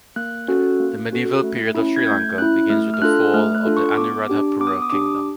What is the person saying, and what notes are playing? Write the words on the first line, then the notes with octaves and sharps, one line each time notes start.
The medieval period of Sri Lanka begins with the fall of Anuradhapura Kingdom.
A#3 F#6
C#4 F#4 A4
A#3
C#4 F#4 A4
A3
C#4 E4
G#6
A3 G6
C#4 E4 F#6
A3 F6
F6
D4 F4 A4 F#6
A3 F6
F#6
D4 F4 A4
C#6
B3 D6
D4 G4
B3 D6
D#6
D6
D#6
D4 G4 D6